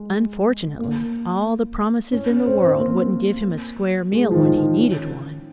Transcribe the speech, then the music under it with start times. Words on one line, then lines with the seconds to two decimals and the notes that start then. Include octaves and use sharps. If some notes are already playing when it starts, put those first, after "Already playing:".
Unfortunately, all the promises in the world wouldn't give him a square meal when he needed one.
Already playing: G#3
0.79 A#3
2.13 C#4
2.30 C#4
2.46 C4
2.63 C4
2.79 A#3
4.13 G#3
4.31 F3
4.34 D#3
4.57 F3
4.79 C#4